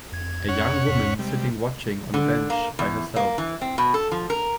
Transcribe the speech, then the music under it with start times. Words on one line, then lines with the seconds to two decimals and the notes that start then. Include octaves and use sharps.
A young woman sitting watching on a bench by herself.
0.12 F2 G#6
0.49 C#4 C#5 F#5
0.87 E2 G#2 B6
1.19 C3 G3 G#3
2.14 D3
2.50 A#3
2.79 E2
3.16 A#3
3.38 E3
3.61 C4
3.78 B2
3.94 A4
4.12 F3
4.30 A#4